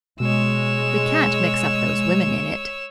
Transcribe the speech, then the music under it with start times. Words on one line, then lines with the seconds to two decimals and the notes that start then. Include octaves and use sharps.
We can't mix up those women in it.
0.20 B2 G#3 C#5 E6